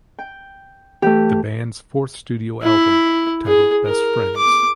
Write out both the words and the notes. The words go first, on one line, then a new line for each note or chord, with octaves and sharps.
The band's fourth studio album, titled Best Friends?
G5
E3 A3 G4
E4
G#4
A#4
D6